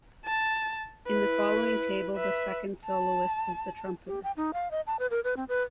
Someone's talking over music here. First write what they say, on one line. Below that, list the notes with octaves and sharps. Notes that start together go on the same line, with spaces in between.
In the following table, the second soloist is the trumpeter.
A5
E4 B4
B4 E5
A5
G4
G5
D#4
F5
D#5
A5
B4
A#4
B4
C4
B4